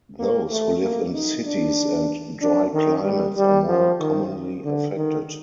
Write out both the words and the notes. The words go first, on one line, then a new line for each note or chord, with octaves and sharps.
Those who live in cities and dry climates are more commonly affected.
A#3
A3
A#3
D#4
D4
D4
D#3
G3
G3
F3
D#3
D3
D#3